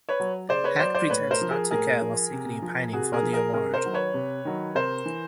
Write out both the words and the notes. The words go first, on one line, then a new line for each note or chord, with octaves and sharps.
Hack pretends not to care while secretly pining for the award.
B4 C#5
F#3
C#3 C5 D5
B4 C#5
F#3 C5 D5
C5 D5
A2 B4 C#5
A#4 C5
F3
G#4 A#4
A2 G#4 A#4
F3
C3
F3
C3 F#4 G#4
G#4 A#4
F3
G#4 A#4
C3 G#4 A#4
A#4 C5
D#3 F#3
B4 C#5
C3
D#3 F#3
C3 A#4 C5
E3